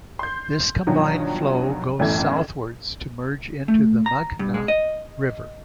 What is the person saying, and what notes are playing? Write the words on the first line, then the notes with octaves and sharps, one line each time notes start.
This combined flow goes southwards to merge into the Meghna River.
C6 G6
G2 B2 D#3 F3 F#3
G1 F#2 A2 E3 A4 G#6
A3
A#5
G2
G#3
D#5